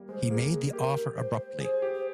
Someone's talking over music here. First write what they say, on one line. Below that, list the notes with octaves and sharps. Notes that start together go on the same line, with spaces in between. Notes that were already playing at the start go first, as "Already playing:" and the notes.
He made the offer abruptly.
Already playing: G3 A#3
G#3 C5
A#3 G#4
G#4
G4 A#4
C5
G#4 C5
G4
C5